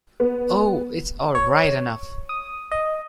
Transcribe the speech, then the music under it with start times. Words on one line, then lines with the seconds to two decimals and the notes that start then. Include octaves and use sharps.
Oh, it's all right enough!
0.20 B3
1.35 C#5
2.29 D#6
2.72 D#5